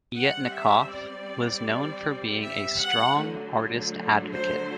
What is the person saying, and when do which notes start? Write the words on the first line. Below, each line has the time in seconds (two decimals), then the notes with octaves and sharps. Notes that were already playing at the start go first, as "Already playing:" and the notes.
Yetnikoff was known for being a strong artist advocate.
0.15 G3 C4 F#5
0.53 E5
0.92 D5
2.43 E5
2.81 F#5
3.18 D3 F#3 A3
4.33 C5